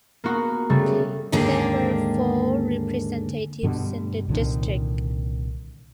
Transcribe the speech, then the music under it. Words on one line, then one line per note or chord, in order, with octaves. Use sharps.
There were four representatives in the district.
A#3 B3 F#4
C#3 G3 A3
D#2 G#2 D3 A#3 G#4 G5
G2 B2 D3 G3
C2 A#2 D3 D#3